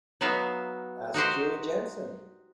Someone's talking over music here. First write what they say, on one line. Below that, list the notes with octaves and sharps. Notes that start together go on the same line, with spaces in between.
Ask Julie Jensen.
F#3 B3 D#4 E5 F5
D#4 F#4 G4 C5